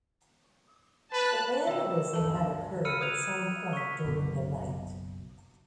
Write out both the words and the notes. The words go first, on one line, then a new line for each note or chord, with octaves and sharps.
The vandalism had occurred at some point during the night.
B4 A5 F#6
B2 D#3 C#5 D#5 G5 E6
G1 D2 A4 A5
A#5 B5 E6 F6 C#7 D#7
D#6 F#6 G#6 D#7 F7 F#7
C#6 B6
F#1 B1 B2